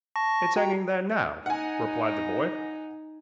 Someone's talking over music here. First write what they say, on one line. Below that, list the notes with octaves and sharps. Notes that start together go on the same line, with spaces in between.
'It's hanging there now,' replied the boy.
A5 C#6 A#6
F#4 G5 A#5
D#4 F#5 G#5